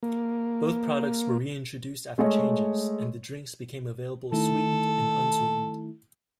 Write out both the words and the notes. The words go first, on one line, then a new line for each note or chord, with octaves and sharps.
Both products were re-introduced after changes, and the drinks became available sweetened and unsweetened.
A#3
G#3 A3 C#5 D#5
D#3 A3 E4 A4